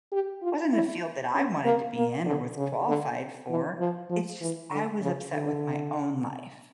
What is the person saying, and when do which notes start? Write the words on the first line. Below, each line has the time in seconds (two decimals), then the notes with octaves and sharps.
wasn't in a field that I wanted to be in or was qualified for. It's just I was upset with my own life.
0.12 G4
0.43 F4
0.73 E4
1.35 C#4
1.65 A#3
1.96 A#3
2.26 D3
2.57 C#3
2.88 D3
3.49 E3
3.79 F3
4.10 F3
4.41 E3
4.71 D3
5.02 C#3
5.33 D3